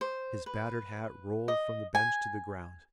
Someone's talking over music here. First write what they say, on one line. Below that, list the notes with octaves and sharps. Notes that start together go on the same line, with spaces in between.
His battered hat rolled from the bench to the ground.
C5
B4
D#5
G#5